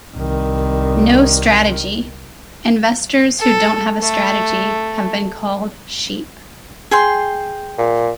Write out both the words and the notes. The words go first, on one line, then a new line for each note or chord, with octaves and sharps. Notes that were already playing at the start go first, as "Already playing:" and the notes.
No strategy: Investors who don't have a strategy have been called Sheep.
C2 D#3
A4
A3
G#4 G5 C6
A#2